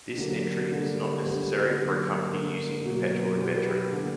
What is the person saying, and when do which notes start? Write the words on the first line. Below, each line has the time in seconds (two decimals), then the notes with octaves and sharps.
This entry is not necessary for a company using perpetual inventory.
0.18 D3 F#3 A#3 G4
0.72 D3 G3 A#3
1.25 D3 G3 B3 G4
1.78 D3 F#3 A#3
2.31 D3 A#3 A#4
2.85 B2 F#3 A#3
3.38 B2 F#3 B3 G4
3.51 A#4
3.66 G4 B4
3.91 D3 A#3 A#4